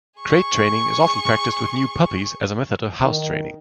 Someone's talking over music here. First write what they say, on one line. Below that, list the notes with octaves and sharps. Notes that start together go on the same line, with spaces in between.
Crate training is often practiced with new puppies as a method of house-training.
G#4 C#6
D#3